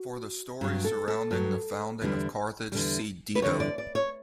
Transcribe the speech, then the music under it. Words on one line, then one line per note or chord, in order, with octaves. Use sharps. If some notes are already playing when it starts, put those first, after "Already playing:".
For the story surrounding the founding of Carthage, see Dido.
Already playing: F#4
G2 F#3
A4
A4
G2 F#3
E2 D3 G3
E2 D3 G3
B4
E2 D3 G3 C#5
D5
D5
C#5